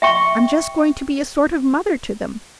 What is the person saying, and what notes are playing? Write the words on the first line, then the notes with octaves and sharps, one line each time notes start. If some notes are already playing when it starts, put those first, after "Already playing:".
I'm just going to be a sort of mother to them.
E5 G5 C#6